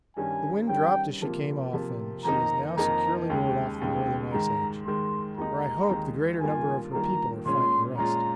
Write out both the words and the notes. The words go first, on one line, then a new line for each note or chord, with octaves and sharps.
The wind dropped as she came off, and she is now securely moored off the northern ice edge, where I hope the greater number of her people are finding rest.
G2 D#3 G3 C#4 G#5
G2 D#3 G3 C#4 G5
C3 F3 A#3 F4
C3 F3 A#3 F4
F2 D#3 A#3 D#4 A#5
F2 D#3 A#3 D#4 A#5
D#2 C#3 G#3 G5
D#2 C#3 G#3 G5
G#2 D#3 G#3 A#5
G#2 D#3 G#3 C6
D#2 D#3 G#3 D#4 A#5
D#2 D#3 G#3 D#4
G2 D#3 A#3 F4 G#5
G2 D#3 A#3 F4 A#5
A#2 G#3 C#4 F4 C6
A#2 G#3 C#4 F4 A#5